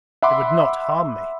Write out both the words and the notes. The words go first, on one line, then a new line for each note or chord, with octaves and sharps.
They would not harm me.
E5 F#5 B5 C6 D6